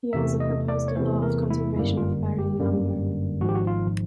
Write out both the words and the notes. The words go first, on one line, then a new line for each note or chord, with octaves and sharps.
He also proposed the law of conservation of baryon number.
E2 C3 E3 A3 E5
D#5
D5
C#5
E2 C3 E3 A3 C5
A#4
E4
G1 F#2 D3 G3 A#3 E4
F4
G4
G1 F#2 D3 G3 A#3
G#1 G#2 F3 F#4
G4
F#4
F4